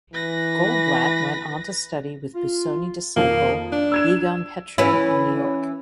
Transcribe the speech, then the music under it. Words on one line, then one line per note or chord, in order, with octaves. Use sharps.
Goldblatt went on to study with Busoni disciple Egon Petri in New York.
E3 B4 A#6
F4
F2 D#3 F3 A#3
D4
E6 G#6 E7
E3 C#4 E4